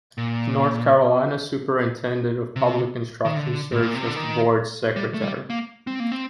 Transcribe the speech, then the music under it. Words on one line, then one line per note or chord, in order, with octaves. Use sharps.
The North Carolina Superintendent of Public Instruction serves as the board's secretary.
A#2
C3
D#3
D3
A2
A#2
C3
D3
D#3
G3
A3
G3
A#3
C4
A#3
C4